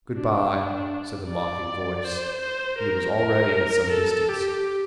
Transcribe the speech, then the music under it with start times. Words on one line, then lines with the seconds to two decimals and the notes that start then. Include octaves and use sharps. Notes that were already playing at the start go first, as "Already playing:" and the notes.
"Good-bye," said the mocking voice, and it was already at some distance.
0.16 D4
0.54 D4
1.29 D5
2.05 C5
2.42 C5
2.79 A#4
3.16 A#4
3.91 A4
4.29 G4